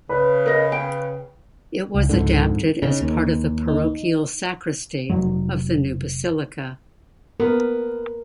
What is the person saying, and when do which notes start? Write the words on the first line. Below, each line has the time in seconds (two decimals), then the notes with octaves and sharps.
It was adapted as part of the parochial sacristy of the new basilica.
0.09 C#3 B4
0.46 A#4 D#5
0.72 G5
1.95 C#2
2.09 F2 G#2 D3
2.82 C#3 D#4
3.01 D#2
3.68 D#4
5.10 F1 F#3
7.40 B3 A#4